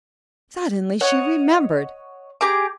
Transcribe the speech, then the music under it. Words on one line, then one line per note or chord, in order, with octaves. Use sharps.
Suddenly she remembered.
C#5 D#5 F#5
G4 G#4 A#5 D6